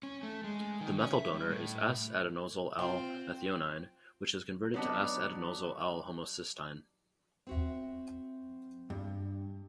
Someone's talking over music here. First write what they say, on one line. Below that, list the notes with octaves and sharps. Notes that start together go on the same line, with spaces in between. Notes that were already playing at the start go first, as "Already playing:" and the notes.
The methyl donor is S-adenosyl-L-methionine, which is converted to S-adenosyl-L-homocysteine.
C#4
A3
G#3
D#3
C#4
E5
G3
A2
C4 F4 G5
F#3 G3 B3 D4 D#4
C4 F#4 E5
G2